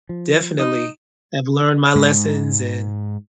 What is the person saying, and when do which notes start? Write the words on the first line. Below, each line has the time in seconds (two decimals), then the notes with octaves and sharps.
definitely have learned my lessons and
0.09 F3
0.59 D#4
1.95 G#2 G#3